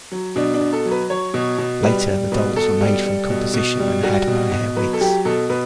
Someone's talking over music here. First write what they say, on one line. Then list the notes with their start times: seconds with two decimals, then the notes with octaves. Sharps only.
Later the dolls were made from composition and had mohair wigs.
0.11 F#3
0.36 B2 D4
0.54 D4
0.60 B2
0.73 A4
0.85 F#3
0.91 B4
1.10 F#3 C#5
1.34 B2
1.58 B2
1.83 G3 B4
2.07 G3
2.32 B2 B4
2.56 B2 A4
2.81 G3
3.05 G3
3.30 B2
3.54 B2
3.79 G3
4.03 G3 F#4
4.27 B2
4.51 B2
4.76 F#3 B4
4.93 A4
5.01 F#3 G4
5.25 B2 A4
5.49 B2 B4